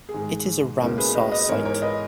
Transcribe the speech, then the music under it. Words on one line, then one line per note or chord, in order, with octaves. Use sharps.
It is a Ramsar site.
G#4
G#2 D#3 G#3
C#2 B2 A#3 C#4 E4 A#4
G#4 B4
B4 D#5
B4 D#5
G#2 E3 G#3 B3 A#4 C#5
A#4 C#5
B4 D#5